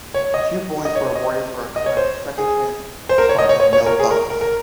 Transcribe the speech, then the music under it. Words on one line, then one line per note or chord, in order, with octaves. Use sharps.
Two points were awarded for a correct second-chance response, with no bonus.
C#5
D#5
D#5
C#5
D#5
D#5
C#5
C5
G#4
C5
A#4
C#5
D#5
C#5
C#5
C#5
A#4
G#4
A#4
A#4
A#4